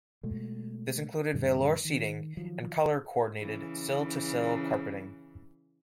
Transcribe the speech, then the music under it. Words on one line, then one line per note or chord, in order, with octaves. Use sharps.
This included velour seating and color coordinated sill to sill carpeting.
B2 G#3 A3
F#2 A#2 D3 G3
D#3
D#3 F3 F#3
C#3 E3